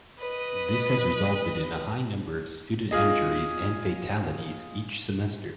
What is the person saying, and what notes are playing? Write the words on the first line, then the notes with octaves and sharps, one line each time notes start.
This has resulted in a high number of student injuries and fatalities each semester.
B4 D#5
F4 G#4 D#5